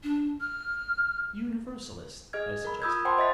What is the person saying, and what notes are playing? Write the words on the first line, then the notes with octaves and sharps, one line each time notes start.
"Universalist?" I suggested.
D4
F6
G#4 D#5 F6 G#6
A#4 B5
F4 B5 D#6 E6 G6 G#6
C5 F#5 G5 A5 B5 C6
C5 D#5 E5 A6 B6